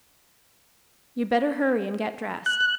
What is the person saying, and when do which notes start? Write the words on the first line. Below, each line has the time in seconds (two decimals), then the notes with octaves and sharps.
'You'd better hurry and get dressed.
2.46 F#6